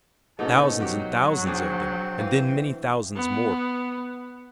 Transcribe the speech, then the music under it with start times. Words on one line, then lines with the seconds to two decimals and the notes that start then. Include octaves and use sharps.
Thousands and thousands of them and then many thousands more.
0.39 G#2 B2 B3 C#4 D#4 A4
0.80 F#3 F#4 G4
1.46 C4 D4 G#4 D5
2.18 E3 B4 F5
3.16 B3